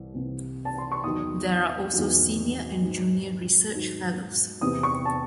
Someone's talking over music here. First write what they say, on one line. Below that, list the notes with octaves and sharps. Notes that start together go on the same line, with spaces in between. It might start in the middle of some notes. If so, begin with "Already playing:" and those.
There are also Senior and Junior Research Fellows.
Already playing: C2 E3
C2 C3 E3
A5
C6
C#6
E2 D#3 F#3 D#6
E2 D#3 F#3
G#2 D#3 F#3
G#2 D#3 F#3
E2 C3 E3 D#6
C#6
A5